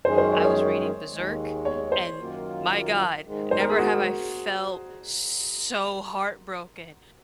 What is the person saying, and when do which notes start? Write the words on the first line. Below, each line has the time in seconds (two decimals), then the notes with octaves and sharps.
I was reading Berserk, and my god! Never have I felt so heartbroken
0.05 F#2 D#3 G#3 C#4 G#4 C5
0.18 C5
0.32 C#5
0.45 C#5
1.11 D#2 D#3 G#3
1.65 C#5
1.92 C5
2.19 F#2 D#3 F#3 A#3 F4
3.25 G#2 D#3 G#3
3.51 C5
3.60 A#4
3.70 G#4
3.78 F#4